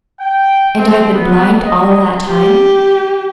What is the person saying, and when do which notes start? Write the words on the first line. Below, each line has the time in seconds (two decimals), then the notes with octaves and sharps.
"And I've been blind all that time?"
0.20 G5
0.78 C4
1.14 B3
1.65 D#5
2.28 G4